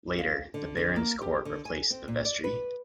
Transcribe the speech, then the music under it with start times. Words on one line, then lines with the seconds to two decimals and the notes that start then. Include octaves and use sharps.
Later the Baron's Court replaced the Vestry.
0.19 F5
0.54 D3
0.77 D3
0.96 A#3
1.21 G4
1.45 D3
1.65 G#5
1.90 C4
2.08 A#2
2.25 D5
2.44 B4